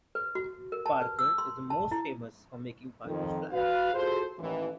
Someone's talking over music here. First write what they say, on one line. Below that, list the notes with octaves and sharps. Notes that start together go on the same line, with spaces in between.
Parker is most famous for making the Parker Fly.
B4
F#4
A#4
A5
B4
E6
C6
A5
E4
F2 D#3
F#4 B4 F5
F4 F#4 G#4 A4 C5
A1 D#2 E3